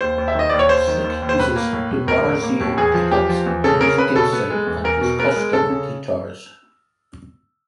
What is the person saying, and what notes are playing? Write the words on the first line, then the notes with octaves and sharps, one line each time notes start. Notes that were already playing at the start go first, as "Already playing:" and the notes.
Slick uses DiMarzio pickups in his Gibson and his custom guitars.
D#2 C5
D#2
E5
D#3 D#5
D#2 D5
C#5
D#2 C5
D#3
D#2
D#2
C5
A2 B4
A#3
A2
A2
A2 A#4
A2
A#3
A2
E2 G#4
F3
E2 G4
F3
E2
C#3 A4
C#3 A#4
C#3 B4
B2 A4
B3
G#3
E2
E2 A#4
B2
B3 A#4
G#3
C#3 A4
C#3